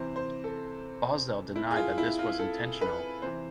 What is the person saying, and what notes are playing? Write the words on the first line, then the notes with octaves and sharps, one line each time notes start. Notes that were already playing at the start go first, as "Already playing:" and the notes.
Boesel denied that this was intentional.
Already playing: C3 E3 C5
C5
A4
E4
G#4
F4
E4
F4
A4
B4
C3 E3 C5